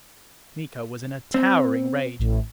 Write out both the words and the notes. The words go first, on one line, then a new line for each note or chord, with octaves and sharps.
Miko was in a towering rage.
C4
A1 A2